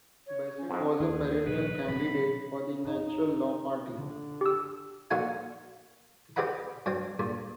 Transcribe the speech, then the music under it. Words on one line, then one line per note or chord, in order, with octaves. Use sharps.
Bessette was a perennial candidate for the Natural Law Party.
C#5
C#4
F2 G#2 C4
D#2 G#4
A#1 C#3 B4
B2 D3 F#3 B5
D#4
D3
G4 E6
A#1 A#3 D#4 F#4 F#5 G#5
C4 G4 B4 D#5 F#5 B5
G2 F#3 C4
G2 A#2